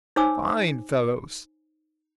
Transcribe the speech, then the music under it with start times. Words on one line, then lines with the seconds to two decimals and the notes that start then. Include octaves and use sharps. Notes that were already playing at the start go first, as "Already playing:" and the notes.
Fine fellows!'
0.16 D#4 C5 C#5 G#5 D6 E6